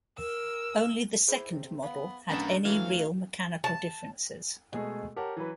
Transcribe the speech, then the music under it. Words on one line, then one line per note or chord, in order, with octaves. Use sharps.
Only the second model had any real mechanical differences.
A#4 E6
E4 G#4 C5
C3
B3 F5
B1 A3 B3 C#4 D4 A#4 A6 E7
E3 F#3 A3 F5
A5
B2 G#3 A3 G#4 A4
G4 A#4 C#5 F#5 A5
E3 F#3 B4